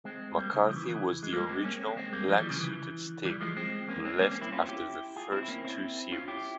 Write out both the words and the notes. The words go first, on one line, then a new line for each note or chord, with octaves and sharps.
McCarthy was the original, black-suited Stig, who left after the first two series.
G#3 C4
G3 A#3
C#3
F3
E3
C#3
E3
G#3
G3 A#3
G#3 C4
A#3 C#4
G#3 C4
G#3 C4
G3 A#3
F3 G#3
E3 G3
C#3 F3
E3
E3 G3
F3 G#3
G#3 C4
A#3 C#4
G#3 C4
G3 A#3
A#3 C#4
C4 E4
C#4 F4
E4 G4
F4 G#4
C4 E4
E4
A#3 C#4
C4 E4
C#4 F4
E4 G4